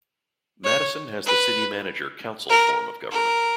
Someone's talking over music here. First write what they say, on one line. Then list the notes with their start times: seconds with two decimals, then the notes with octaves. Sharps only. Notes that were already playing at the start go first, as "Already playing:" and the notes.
Madison has the city manager-council form of government.
0.64 C#5
1.26 B4
2.49 A#4
3.11 A#4